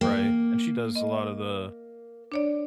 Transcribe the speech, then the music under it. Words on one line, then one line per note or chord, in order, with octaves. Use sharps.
Right. And she does a lot of the
A#3 G5
D#5
D4 C#5 D5